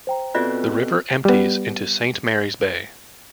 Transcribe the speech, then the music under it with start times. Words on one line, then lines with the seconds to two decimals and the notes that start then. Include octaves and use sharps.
The river empties into Saint Mary's Bay.
0.07 C5 G5 A#5
0.35 B2 C4 F4 A4 B4 D5 E5 F#6
1.25 G3 B3